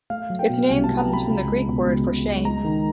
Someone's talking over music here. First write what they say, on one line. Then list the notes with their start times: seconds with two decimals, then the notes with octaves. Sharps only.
Its name comes from the Greek word for "shame".
0.10 A3 F5
0.30 F#3
0.39 G5
0.49 B2
0.69 C2 G#5
0.84 A5
0.89 A3
0.98 A#5
1.08 F#3
1.13 B5
1.28 C#2
1.48 G#3
1.67 B2
1.86 C#2
2.06 C#2
2.26 G#3
2.45 G#3 A#5
2.64 D#3